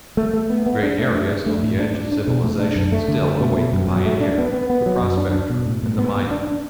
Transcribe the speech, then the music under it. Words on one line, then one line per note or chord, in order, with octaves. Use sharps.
Great areas on the edge of civilization still await the pioneer, the prospector, and the miner.
A3
A3
B3
B3
D4
A3
D4
D4
A3
A2
D4
D4
D4
B2
A3
D4
F#2
A3
D3
A3
B2
B2
F#2
F#3
A3
D4
B3
B3
B3
F#3
F#2
D4
D4
B2
A2
A2
B3
B3
D4
D4